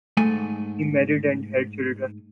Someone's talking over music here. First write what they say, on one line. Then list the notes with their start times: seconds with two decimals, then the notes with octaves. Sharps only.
He married and had children.
0.17 G#2 A3 G#5